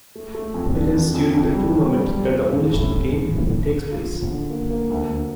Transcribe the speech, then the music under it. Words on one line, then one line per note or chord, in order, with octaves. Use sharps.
It is during the tournament that the original game takes place.
A3
A3
F2
D4
F2
F2
F2
G3
F2
G3
G3
F2
A2
A2
G3
A2
A2
A2
D3
F4
F3
D3
A#3
A#3
D2
D2